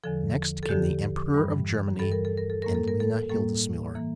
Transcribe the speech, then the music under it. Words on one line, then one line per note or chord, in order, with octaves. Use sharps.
Next came the Emperor of Germany and Lena Hildesmuller.
E2 D3 F3 A4
A4
E2 D3 F3 G4
G2 E3 G3
G2 E3 G3 A4
A#4
A4
A#4
A4
A2 G3 A#3 A#4
A4
A#4
A4
A2 G3 A#3 A4
E3 A#3